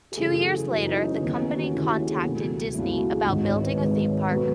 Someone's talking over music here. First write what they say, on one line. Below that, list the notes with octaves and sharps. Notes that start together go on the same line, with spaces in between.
Two years later, the company contacted Disney about building a theme park.
A4
F#2 C#3 E3 A3 G#4
A4
G#4
F#2 C#3 E3 A3
D#4
C#4
D#2 D#3 A3 B3
C#4
F#4
D#2 D#3 A3 E4
F#4
G#4
C#2 B2 F#3 A3
C#2 B2 F#3 A3 E4
F#4
G#4
G#1 G#2 D#3 G#3 F#4
C#5
B4
G#1 G#2 D#3 G#3 C#5
B2 F#3 A3 B4